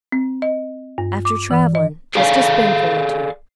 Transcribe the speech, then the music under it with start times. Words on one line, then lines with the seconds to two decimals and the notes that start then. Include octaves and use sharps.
After travellin'--just a spoonful or two.'
0.12 C4
0.42 D#5
0.98 G2
1.25 D6
1.51 E3
1.75 D#5
2.15 G#4 A4 D5 F5 G#5